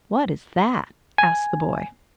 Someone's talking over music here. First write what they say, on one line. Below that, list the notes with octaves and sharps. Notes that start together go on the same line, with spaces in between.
"What is that?" asked the boy.
G#5